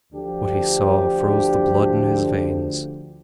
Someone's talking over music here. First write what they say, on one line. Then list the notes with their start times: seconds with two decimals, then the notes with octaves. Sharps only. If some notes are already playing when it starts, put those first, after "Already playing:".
What he saw froze the blood in his veins.
0.12 D2 D3 F3 D4 G4